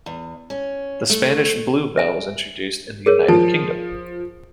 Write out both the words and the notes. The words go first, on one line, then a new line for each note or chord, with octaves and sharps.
The Spanish bluebell was introduced in the United Kingdom.
E2
C#4
A3
E5 G#5
G#4 A#4 C#5
F3 A5